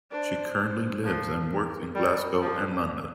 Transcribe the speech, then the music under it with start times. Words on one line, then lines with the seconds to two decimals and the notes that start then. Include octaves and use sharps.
She currently lives and works in Glasgow and London.
0.11 D4 C5
1.03 F3 A#4
1.49 A#4
1.95 G3 A#4
2.41 F3 C5